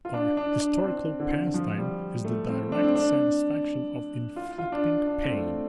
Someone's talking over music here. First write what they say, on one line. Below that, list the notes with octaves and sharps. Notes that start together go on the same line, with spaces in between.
Our historical pastime is the direct satisfaction of inflicting pain.
F4
D4
D4
D4
D4
C4
D3
F3
G3
A3
C4
D4
C4
D4
F4
F4
D4
D4
C4
A3